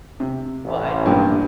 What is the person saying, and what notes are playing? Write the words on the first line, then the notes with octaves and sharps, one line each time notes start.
well, I
C3
A1
G2 A#2 D4